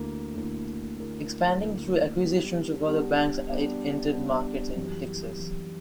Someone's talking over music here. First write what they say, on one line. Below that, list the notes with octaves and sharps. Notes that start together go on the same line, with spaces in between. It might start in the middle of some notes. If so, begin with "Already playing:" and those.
Expanding through acquisitions of other banks it entered markets in Texas.
Already playing: D2 D3 A#3 E4 A#4
D2 D3 A#3 E4 A#4
D2 D3 A#3 E4 A#4
D2 D3 A#3 E4 A#4
G3 B3 D4 G4
G3 B3 D4 G4
G3 B3 D4 G4
G3 B3 D4 G4
F#2 E3 G3
F#2 E3 G3